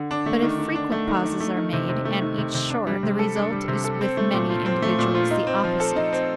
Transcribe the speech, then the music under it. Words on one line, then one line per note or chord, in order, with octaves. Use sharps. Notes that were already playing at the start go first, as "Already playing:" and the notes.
But if frequent pauses are made, and each short, the result is with many individuals the opposite.
Already playing: D3
D4
A3
D#3
D#3
D4
A3
D#3
D#3
A3
D#3
C3
C3
A3
D#3
C3
C3
D4
G3
C3
A4
D4
G3
C3
A4
C4
A3
A#2
F4
C4
A3
A#2
F4
D#4
C4
F3
A4
D#4
C4